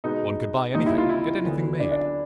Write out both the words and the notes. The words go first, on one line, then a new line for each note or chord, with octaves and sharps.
One could buy anything; get anything made.
B2 G#3 B3 D#4
D#2 D#3 G3 A#3 D#4
E4
F4
E4
D2 D3 F#3 B3
D4
D4